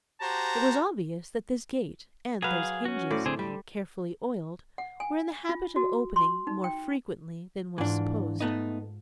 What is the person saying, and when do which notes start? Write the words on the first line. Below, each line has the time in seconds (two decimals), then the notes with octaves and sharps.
It was obvious that this gate and those hinges, carefully oiled, were in the habit of opening more frequently than was supposed.
0.21 F#4 G4 C5 A5 A#5
2.42 F#3 G#4 B4 F5
2.85 C#4 F#4
3.11 A2 C5 D5
3.26 D3 C4 G#4
3.39 D3 G3
4.78 F#5
5.00 G#5
5.49 F4
5.76 F#4
6.16 C6
6.47 D#4
6.64 G5
7.78 G#2 E3 D4 F4 A#5
8.40 A3 B3 D#4